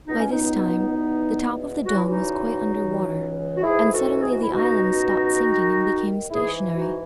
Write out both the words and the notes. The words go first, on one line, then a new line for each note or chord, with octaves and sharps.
By this time the top of the dome was quite under water and suddenly the island stopped sinking and became stationary.
C#2 B2 D#4
C#4
B3 D#4
E2 B2
E2 C#3 E3 F#4
E4
D#4 F#4
C#2 C#3 E3
F#4
G#2 E3 E4 G#4
F#4 A4
G#4
F#4
E4
C#2 B2 D#4 F#4
D#2 D#3
G#2 E3 E4 G#4
D#4 F#4